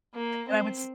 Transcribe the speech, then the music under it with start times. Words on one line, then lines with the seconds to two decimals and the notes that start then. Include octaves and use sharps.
And I would s
0.14 A#3
0.48 C4